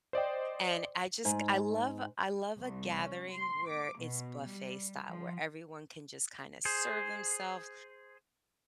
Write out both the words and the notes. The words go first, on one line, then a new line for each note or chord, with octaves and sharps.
and I just g I love I love a gathering where it's buffet style, where everyone can just kinda serve themselves,
C5 D5 D#5 G5
G#2
C2
C#4
C6
D6
B2
G3
F3
G#4 C5